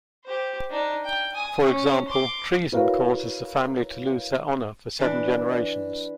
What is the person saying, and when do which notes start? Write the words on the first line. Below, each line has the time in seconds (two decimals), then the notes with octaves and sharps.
For example, treason causes the family to lose their honor for seven generations.
0.25 G4 C5
0.70 D4 D#4
1.05 G5
1.34 G#5 D#6
1.64 C#4
2.08 C6 D6
2.72 E4 F#4 A#4 B4 C#5 F5
4.99 E3 D4 D5